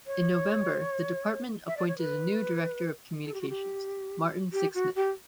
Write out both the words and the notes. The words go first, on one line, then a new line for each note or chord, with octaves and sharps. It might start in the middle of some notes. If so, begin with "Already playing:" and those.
In November the department appointed a new Director of Communications, Martin Sixsmith.
C#5
E5
D5
C#5
B4
A4
G4
F#4
G4
G4
F#4
G4